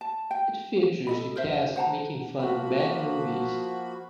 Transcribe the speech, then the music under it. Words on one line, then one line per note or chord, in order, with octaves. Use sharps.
It features the cast making fun of bad movies.
A5
G5
A4 D#5 B5
A#4 C5 E5
C5 F#5 A5 A#5
F3 A#3 F#4 B5